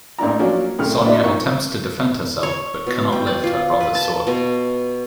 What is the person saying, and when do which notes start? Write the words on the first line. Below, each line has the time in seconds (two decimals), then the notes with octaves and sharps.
Sonja attempts to defend herself, but can not lift her brother's sword.
0.19 A1 A#3 D4 E4 A#5
0.39 F3 F#3 A#3 C#4 D4 F#4
0.79 C2 A2 C#3 F6
1.04 D4 E4 F#4 B4 D5 D#5
1.24 G2 A#2 A#3 D#4 C#6
2.43 C#5
2.87 B2
3.13 G5
3.27 D5
3.44 F4
3.80 B4
3.95 A5
4.27 B2